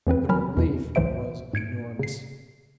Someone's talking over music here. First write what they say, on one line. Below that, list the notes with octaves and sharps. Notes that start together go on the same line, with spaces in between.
The relief was enormous.
E2 E3 C4 B4
D#3 F#3 A#4 G#5 B5 F6
E2 B2
C#2 G#2 E3 C5 E5 D7
G#2 G#6 C#7 D7
C#3 C7